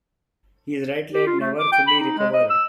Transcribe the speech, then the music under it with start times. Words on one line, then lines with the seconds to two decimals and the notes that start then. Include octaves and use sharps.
His right leg never fully recovered.
1.13 G4
1.27 F4
1.40 A3
1.58 D6
1.72 G5
1.87 B5
2.00 D#4
2.18 G#3
2.33 D#5
2.50 E6